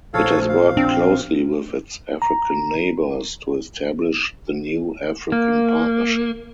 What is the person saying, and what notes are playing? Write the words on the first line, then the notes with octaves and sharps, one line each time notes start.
It has worked closely with its African neighbors to establish the New African Partnership.
A#1 A4 C#5 F5
F5
C4 D4
A#5
A#3